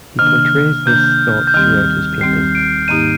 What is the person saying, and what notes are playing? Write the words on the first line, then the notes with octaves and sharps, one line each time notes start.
He portrays this thought throughout his painting.
C3 D#3 A#3 D4 F6
C3 D#3 A#3 D4 G6
G6
D#2 D#3 G3 C4 G4 F6
D#2 D#3 G3 C4 G4 C7
D7
G#2 D#3 A#3 D#4 G4 D#7